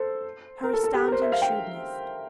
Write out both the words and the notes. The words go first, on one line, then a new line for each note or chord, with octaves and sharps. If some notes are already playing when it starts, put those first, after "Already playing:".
Her astounding shrewdness!
Already playing: A4 C5
A#4
A4
A4
G4
A#4
C5
E5
F5
G5